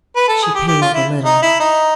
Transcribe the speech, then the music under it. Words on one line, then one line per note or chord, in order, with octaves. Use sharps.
She paled a little.
B4
A4
G#4
G4
G4
F4
E4
D#4
E4
D#4